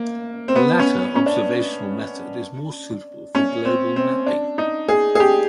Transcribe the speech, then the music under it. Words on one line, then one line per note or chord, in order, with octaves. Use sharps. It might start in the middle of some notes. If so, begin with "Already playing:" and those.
The latter observational method is more suitable for global mapping.
Already playing: A#3
C4
B3
C#4
C#4
D4
C#4
C4
C4
D4
D#4
G#4
G#4
G4